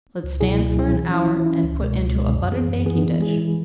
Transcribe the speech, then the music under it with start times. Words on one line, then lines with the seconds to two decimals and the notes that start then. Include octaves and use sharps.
Let stand for an hour and put into a buttered baking-dish.
0.24 C#2
0.41 B2 F#3 E4 G#4
0.58 C#2
0.76 B2 F#3 E4 G#4
0.93 E3
1.11 C#4 E4
1.28 E3
1.46 C#4 E4
1.63 C#2
1.81 B2 G#3
1.98 C#2
2.16 B2 G#3
2.33 F#2
2.51 E3 B3 G#4
2.68 F#2
2.86 E3 B3 G#4
3.04 E3
3.20 G#3 E4 G#4
3.38 E3